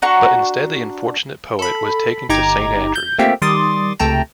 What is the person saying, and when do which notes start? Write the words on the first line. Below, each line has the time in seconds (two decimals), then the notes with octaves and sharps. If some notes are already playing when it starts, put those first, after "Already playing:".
But instead the unfortunate poet was taken to Saint Andrews.
0.02 D4 F#4 A#5 C#6
1.59 A4 B5
2.29 G1 D#4 G4 A#5 D6 G#6
2.95 G6
3.18 A3 A#3 C4 F4 G4 E5
3.42 D#3 G3 C6 D6 D#6 A6
3.99 C#2 C3 A3 G5 A5 A#5